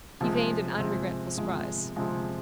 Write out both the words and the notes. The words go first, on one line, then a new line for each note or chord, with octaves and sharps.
He feigned an unregretful surprise.
C3 F3 G#3
C3 F3 G#3
C3 F3 G#3
C3 F3 G#3